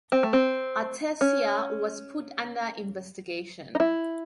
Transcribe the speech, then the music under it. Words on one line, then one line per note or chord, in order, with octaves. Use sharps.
Artesia was put under investigation.
C4
A3
C4
C#4
D#4
E4